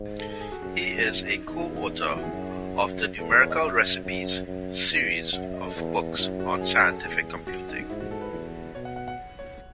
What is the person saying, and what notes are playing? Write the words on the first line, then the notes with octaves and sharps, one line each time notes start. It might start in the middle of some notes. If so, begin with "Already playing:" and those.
He is a coauthor of the Numerical Recipes series of books on scientific computing.
Already playing: G#2
A4
A4
G#4
F#4
F#2 F#4
E4
D#4
E2 D#4
E4
D#4
D#4
E4
E4
F#4
G#4
F#2
E2 A4
B4
C#5
D#5
F#2 E5
F#2
F#2
E2
F#2 F#5
E5
D#5
A4
E2
F#2 E4
F#4
G#4
A4
E2 G#4
F#2 F#4
D#4
G#2 E4
F#4
A4
B4
E2
B2 C#5
F#5
F#5
F#5
C#5